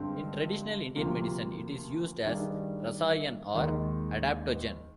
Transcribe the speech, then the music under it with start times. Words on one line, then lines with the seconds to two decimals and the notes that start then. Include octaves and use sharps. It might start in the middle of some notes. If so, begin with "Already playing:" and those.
In traditional Indian medicine it is used as 'Rasayan' or adaptogen.
Already playing: G2 D3 G#3 C4
0.96 D2 C3 F3 A#3
2.25 G2 D#3 G3 D4 G#4
3.54 D#2 D#3 G#3